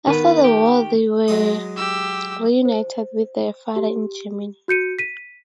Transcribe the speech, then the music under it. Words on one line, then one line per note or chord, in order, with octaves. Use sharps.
After the war they were reunited with their father in Germany.
D#3 B3 B4
G4
F#3 G#3 D#6
G4 E6
C5
G4
F#4 G6 C#7 D#7
B6 D#7